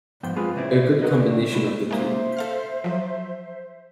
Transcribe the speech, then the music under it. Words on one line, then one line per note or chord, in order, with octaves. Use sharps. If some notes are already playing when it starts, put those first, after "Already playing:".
A good combination of the two.
G#2 F3 B3 G5
G#3 C4 F4 G#4 B4
A#2 C#3 C4 E4 D5
D2 F#4 A#4 B4 D#5
A3 D4
G#3 A3 E4
G#3 A#3 C5 E5
A4 F5 F6
F3 F#3